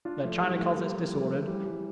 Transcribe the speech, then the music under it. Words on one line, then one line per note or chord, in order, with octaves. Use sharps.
Their china closets disordered.
D4 F4
F3 A3
E3 G3
F3 A3
G3 A#3
G3 A#3
F3 A3
E3 G3
E3 G3